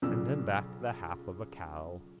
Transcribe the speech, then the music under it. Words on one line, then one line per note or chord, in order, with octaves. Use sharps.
Send him back the half of a cow.
B1 C#3 F3 D4 E6